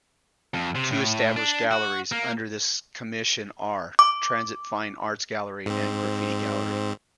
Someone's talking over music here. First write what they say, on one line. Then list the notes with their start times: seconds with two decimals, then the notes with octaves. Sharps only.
Two established galleries under this commission are: Transit Fine Arts Gallery and Graffiti Gallery.
0.54 F2
0.75 C3
0.91 A2
1.36 D4
1.71 F#4
2.12 A#3
3.99 D6
5.66 G#2 C4